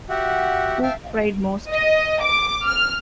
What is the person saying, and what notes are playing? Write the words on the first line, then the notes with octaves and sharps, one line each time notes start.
Who cried most?
F#4 G4 E5 F#5
E5 F5 G5 A5 F6
D#5
D6
F6